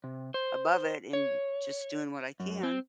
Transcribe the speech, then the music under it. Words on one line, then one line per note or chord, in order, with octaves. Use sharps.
above it and just doing what I can,
C3
C5
C#5
F#2
C4